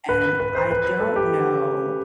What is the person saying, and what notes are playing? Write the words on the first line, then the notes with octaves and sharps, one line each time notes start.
and I don't know
B4
B4
C5
B4
A4
G4